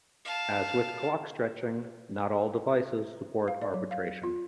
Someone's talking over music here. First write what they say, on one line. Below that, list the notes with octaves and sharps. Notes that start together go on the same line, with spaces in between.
As with clock stretching, not all devices support arbitration.
F5 A5
F5
D5
F#3
F5
F4